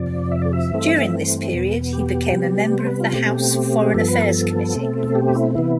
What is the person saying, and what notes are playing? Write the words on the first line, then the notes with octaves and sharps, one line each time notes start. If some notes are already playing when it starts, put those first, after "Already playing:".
During this period, he became a member of the House Foreign Affairs Committee.
Already playing: F2 C3 F3 D5
E5
D5
E5
G2 E3 A3 C4
E2 B2 B3
G4
C3 G3 B3
C5
B4
F4
B2 A3 C4 G4
G2 F3 B3 A4
B4
A4
B2 A3 C4
G4
E4
C3 E3 B3 E4